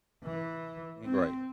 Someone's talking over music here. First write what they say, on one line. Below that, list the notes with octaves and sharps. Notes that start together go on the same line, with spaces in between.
M right.
E3
C4